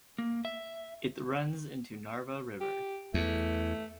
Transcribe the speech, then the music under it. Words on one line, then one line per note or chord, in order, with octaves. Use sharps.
It runs into Narva River.
A#3
E5
G4
E2 A3